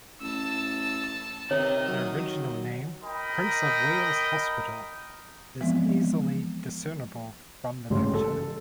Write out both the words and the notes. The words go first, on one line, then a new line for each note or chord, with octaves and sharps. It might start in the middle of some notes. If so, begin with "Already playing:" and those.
The original name 'Prince of Wales Hospital' is easily discernible from the picture.
A1 A5 E6
C3 D#3 C#5 D#5
F#3
A#4 D#5 G5 B5
E3 F3 G#3 B3 C4
A1 C#3 G4 C6
A4